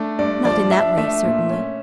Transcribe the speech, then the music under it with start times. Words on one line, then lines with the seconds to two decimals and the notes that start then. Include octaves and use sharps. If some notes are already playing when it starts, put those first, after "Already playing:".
"Not in that way, certainly."
Already playing: A3 D4
0.19 G2 D5
0.45 F3 D5
0.71 D4 E5
0.97 A3 E5
1.24 A#2
1.50 C#4